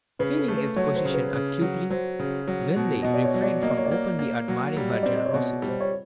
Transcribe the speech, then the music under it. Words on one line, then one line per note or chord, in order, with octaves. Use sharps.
Feeling his position acutely, Linley refrained from openly admiring her generosity.
C#3 B4
A4
A3
B4
F#3 C#5
C5
C#3
B4
C#3
F#3
F#3 C5
C#3
F#3
B2
B2 D#5
D5
C#5
F#3
D5
A#3 D#5
D5
C#5
D5
A#3
A#3
F#3
G3
D#5
C4 D5
D#5
C#5
B2 D5
G3
C5
C#5